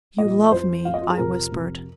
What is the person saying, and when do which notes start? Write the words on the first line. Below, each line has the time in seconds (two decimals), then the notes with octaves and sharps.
"You love me!" I whispered.
0.18 A#2 F3 D#5
0.52 F2 F3 C5
0.85 F2 F3 F5
0.94 D#5
1.01 F4
1.10 G#4
1.18 F2 C3 F3 A#4
1.52 F2 C3 F3